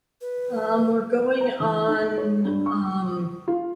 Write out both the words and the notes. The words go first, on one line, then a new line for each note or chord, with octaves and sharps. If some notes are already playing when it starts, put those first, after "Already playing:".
Um, we're going on, um
B4
A#5
E3
D#4
C#5
G2
C#6
F4